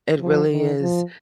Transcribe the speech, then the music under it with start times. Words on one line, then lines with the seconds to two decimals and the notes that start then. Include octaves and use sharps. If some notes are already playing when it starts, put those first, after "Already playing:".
It really is.
0.20 F3
0.50 D#3
0.81 F3